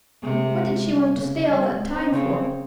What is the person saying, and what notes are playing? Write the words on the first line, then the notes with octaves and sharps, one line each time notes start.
What did she want to stay all that time for?
C3 G#3
A#3
G#3
G3
C#3
G3
G#3
C4
C4
C#3 C4
C4